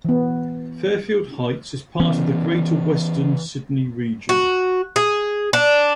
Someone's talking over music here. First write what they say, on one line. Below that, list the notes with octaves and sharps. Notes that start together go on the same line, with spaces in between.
Fairfield Heights is part of the Greater Western Sydney region.
E3 B3
E3 B3 C#4
F#4
G#4
D4